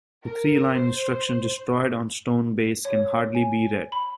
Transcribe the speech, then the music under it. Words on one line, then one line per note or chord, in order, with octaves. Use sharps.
The three-line instruction destroyed on stone base can hardly be read.
A#4
C5
C#5
G#5
B5